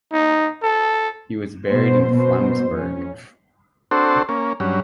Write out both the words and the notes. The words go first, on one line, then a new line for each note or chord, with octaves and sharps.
He was buried in Flensburg.
D#4
A4
B2 C5
B2 C5
F2 C#4
C4 D4 F#4 A4 C5
A#3 C#4
G2 F#3 C#4